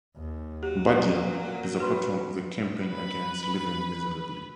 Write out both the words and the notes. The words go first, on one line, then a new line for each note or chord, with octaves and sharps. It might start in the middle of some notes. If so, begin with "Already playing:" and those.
Baddiel is a patron of the "Campaign Against Living Miserably".
D#2
F#3 G4
A#2 A#3
F#4 B4 C6
B4 B5